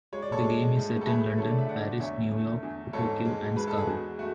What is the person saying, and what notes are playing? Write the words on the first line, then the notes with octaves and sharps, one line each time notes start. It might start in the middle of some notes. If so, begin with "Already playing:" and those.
The game is set in London, Paris, New York, Tokyo and Skaro.
G#3 C#5
D5
A4 C#5
G#3
A2
A4
A3 G#4 B4
D3 A4 C#5
D5
E5
D3 D5 F#5
E2 C#5 E5
A3
E2
G#2 A4 C#5
G#3
G#3 B4
A4
G#4
E2 F#4
A3 F#4